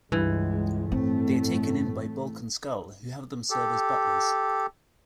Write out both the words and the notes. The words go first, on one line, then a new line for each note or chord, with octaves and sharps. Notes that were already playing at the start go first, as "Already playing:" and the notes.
They are taken in by Bulk and Skull, who have them serve as butlers.
C#2 G2 E3 G#3
A2 A3 C4
G4 A4